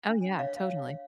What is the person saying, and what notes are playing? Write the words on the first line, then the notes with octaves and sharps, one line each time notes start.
Oh, yeah, totally.
D4
C#5 F5